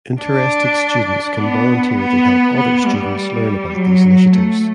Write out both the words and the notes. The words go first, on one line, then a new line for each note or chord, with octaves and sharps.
Interested students can volunteer to help other students learn about these initiatives.
D4
B3
B3
B3
G3
F#3
A3